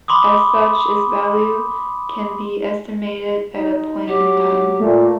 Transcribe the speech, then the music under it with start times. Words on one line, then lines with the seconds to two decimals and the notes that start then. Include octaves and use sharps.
As such, its value can be estimated at a point in time.
0.08 B5 C6 D6 D#6
3.56 D#4
4.07 F#3 G4
4.80 A#2 A3